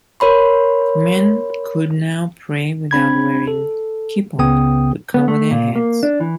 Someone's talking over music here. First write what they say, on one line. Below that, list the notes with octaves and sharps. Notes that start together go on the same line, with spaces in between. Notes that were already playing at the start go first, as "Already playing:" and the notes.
Men could now pray without wearing kippot to cover their heads.
A#4 C#5 B5 C6
C4 D4 B5 G#6
A4
C#2 C#3 B3 G5 D#6
B3
A3
A#2
A#3
D4
E3